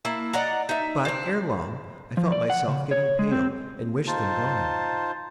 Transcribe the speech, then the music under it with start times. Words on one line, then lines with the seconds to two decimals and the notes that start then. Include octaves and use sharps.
But, ere long, I felt myself getting pale and wished them gone.
0.05 A#3 E4 A5
0.33 D5 D#5 F#5 A#5
0.69 D#4 E5
1.05 C4 D4
2.17 F3
2.32 D5
2.50 F#5
2.67 C#3
2.91 C#5
3.19 G#3
3.32 C4
4.07 D#4 F4 C5 A5